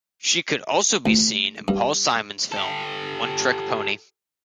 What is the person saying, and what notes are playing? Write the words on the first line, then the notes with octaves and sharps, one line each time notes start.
She could also be seen in Paul Simon's film "One Trick Pony".
D2
G2
G4 A4